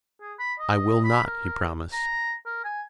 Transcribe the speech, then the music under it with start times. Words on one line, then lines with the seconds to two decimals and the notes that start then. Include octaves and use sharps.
"I will not," he promised.
0.21 G#4
0.39 B5
0.59 D#5
1.04 B5
1.26 A#4
1.93 A#5
2.46 A#4
2.64 G#5